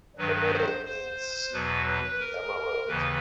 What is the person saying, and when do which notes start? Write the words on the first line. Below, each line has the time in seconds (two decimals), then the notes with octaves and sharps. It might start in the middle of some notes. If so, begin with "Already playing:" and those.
The name means "the emerald".
0.18 G2 D#3 F#3 B4
0.52 C5
0.85 C5
1.53 E2 B2 F#3 B4
2.20 A#4
2.88 D#2 C#3 E3 B4